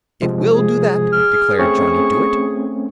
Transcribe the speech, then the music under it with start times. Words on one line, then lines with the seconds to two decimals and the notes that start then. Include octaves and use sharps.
"It will do that," declared Johnny Dooit.
0.22 C3 F3 G#3
0.51 G#4
1.13 F6
1.59 A3 C4 C#4 C#6